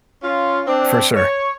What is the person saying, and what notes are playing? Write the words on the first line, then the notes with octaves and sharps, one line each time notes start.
For sure.
C#4 F4
C4 D4
C#5